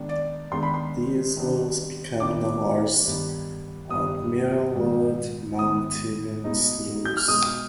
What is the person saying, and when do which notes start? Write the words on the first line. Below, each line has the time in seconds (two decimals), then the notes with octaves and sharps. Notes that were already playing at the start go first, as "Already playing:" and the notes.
These rules became known as Admiral-Lord Mountevans rules.
Already playing: D#3 G#3 B3 D4
0.09 D5
0.52 D#3 G#3 B3 D4 C6
0.63 B5
0.74 C6
1.36 C3 D#3 G3 B3 D4
2.20 C3 D#3 G3 B3 D4 D6
3.06 G2 D#3 B3
3.90 G2 D#3 B3 D#6
4.75 G#2 D#3 B3
5.59 G#2 D#3 B3 D#6
6.44 B2 G#3 B3 D#4
7.05 G6
7.17 F6
7.28 B2 G#3 B3 D#4 D#6